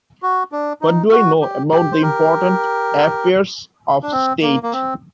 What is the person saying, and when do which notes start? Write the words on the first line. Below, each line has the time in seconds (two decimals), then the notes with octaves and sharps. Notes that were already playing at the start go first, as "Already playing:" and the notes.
What do I know about the important affairs of state?
0.22 F#4
0.52 D4
0.82 D#4
1.12 F#4
1.42 G4
1.72 G4
1.92 C5
2.02 G4 A#4
4.03 D4
4.12 C4
4.42 A#3
4.63 A#3
4.73 C4